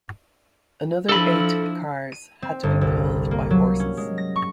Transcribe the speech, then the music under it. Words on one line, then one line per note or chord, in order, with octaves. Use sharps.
Another eight cars had to be pulled by horses.
F3 D4 E4 A4 B5
D#7
C4
G1
C2
A#3
F#3
C#4
G#3
A#6
C#6